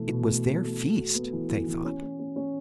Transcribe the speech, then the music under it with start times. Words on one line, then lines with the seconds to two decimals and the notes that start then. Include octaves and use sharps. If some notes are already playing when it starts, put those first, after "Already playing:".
It was their feast, they thought.
Already playing: B2 E3 A3
0.10 B2
0.28 A3
0.46 B2
0.63 A3
0.80 F#4
0.97 F#4
1.15 B3
1.33 E3
1.50 E3
1.67 E3
1.84 C#4
2.02 C#4
2.19 C#4
2.36 C#4